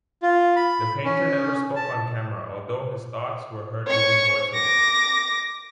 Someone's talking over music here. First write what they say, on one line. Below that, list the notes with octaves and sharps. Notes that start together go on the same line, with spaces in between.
The Painter never spoke on-camera, although his thoughts were heard using voice over.
F4
B5
C#4
A5
C#5 C#6
D6 A#6